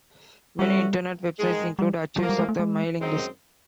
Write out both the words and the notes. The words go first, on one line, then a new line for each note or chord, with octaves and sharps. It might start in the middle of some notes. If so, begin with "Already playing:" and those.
Many internet websites include archives of the mailing list.
C3 E3 G3 A3 C#4 F#4
G#2 D#3 G#3
G3
A2 F3 F#3 A#3
G3
G#3
A3
G#3
F#2 D#3 G#3 C4 D#4